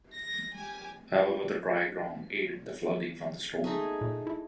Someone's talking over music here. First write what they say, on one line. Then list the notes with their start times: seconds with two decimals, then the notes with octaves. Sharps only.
However, the dry ground aided the flooding from the storm.
0.12 A#6
0.53 G4 G#5
3.64 A3 D#4 G#4
4.01 A#2
4.27 E4